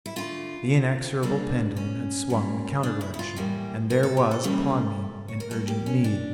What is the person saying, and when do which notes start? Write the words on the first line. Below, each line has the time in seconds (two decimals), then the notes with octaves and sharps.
The inexorable pendulum had swung the counter direction, and there was upon me an urgent need.
0.06 E4
0.16 D3 A3 F4
1.23 D3 G3 A#3 D4
1.77 C#4
2.30 A#2 G3 A#3
2.83 D4
3.01 E4
3.14 E4
3.19 F4
3.36 A2 E3 G3 A#3
3.90 A#4
4.03 A4
4.17 G4
4.31 A4
4.43 C#3 E3 G3 A#3
5.28 C#5
5.40 A#4
5.50 A#2 G3 A#3 A4
5.68 G4
5.86 C#4
6.04 D4